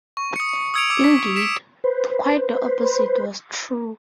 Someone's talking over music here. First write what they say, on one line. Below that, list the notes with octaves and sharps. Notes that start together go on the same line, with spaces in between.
Indeed, quite the opposite was true.
C#6
D#6 C#7
D#6 E6 G#6 C#7 D7 F7
D6 E6
B6
B6 C#7 D7 E7
B4 C5